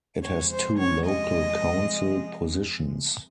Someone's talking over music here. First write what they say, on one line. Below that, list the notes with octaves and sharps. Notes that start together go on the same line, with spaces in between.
It has two local council positions.
C3 F3 G#3 C#5
C5
C#5
D#5